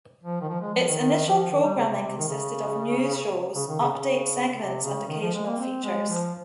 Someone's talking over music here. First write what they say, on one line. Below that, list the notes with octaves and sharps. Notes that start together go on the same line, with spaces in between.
Its initial programming consisted of news shows, update segments and occasional features.
F3
D#3
F3
G#3
F3
D#3
D#3
F3
D#3
G3
C#3
C3
C3
D#3
C#3
C#3
D#3
C#3
C#3
C3
C#3
D#3
F3
G#3
A#3
C4
G#3
F3